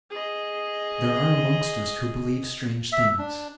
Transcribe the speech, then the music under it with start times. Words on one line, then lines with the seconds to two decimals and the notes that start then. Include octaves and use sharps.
There are amongst us, who believe strange things.
0.10 G#4 D#5
2.92 E5
3.19 D4